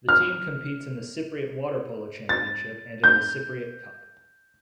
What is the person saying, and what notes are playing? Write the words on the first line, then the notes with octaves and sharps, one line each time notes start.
The team competes in the Cypriot Water polo Championship and in the Cypriot Cup.
F6
A6
G6